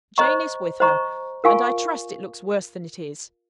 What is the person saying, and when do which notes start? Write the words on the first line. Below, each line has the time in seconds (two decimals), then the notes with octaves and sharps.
Jane is with her; and I trust it looks worse than it is.
0.18 C5 D#5 A#5 C#6
0.80 C5 D#5 A#5 C#6
1.44 F4 A#4 F5 G#5 C#6